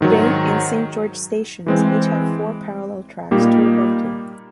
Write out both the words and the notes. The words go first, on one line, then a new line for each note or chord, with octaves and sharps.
Bay and Saint George stations each have four parallel tracks, two above two.
G#2 D#3 F#3
E3 G#3 C4
A#2 G3 A#3 D#4 G4